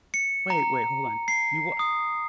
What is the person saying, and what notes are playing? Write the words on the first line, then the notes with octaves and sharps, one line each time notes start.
Wait, wait, hold on, you wha
C#7
A#5
C7
D#6